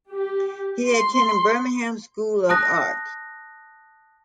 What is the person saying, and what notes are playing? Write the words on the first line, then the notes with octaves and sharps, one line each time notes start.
He attended Birmingham School of Art.
G4
C6
A5 D#6 F#6 A#6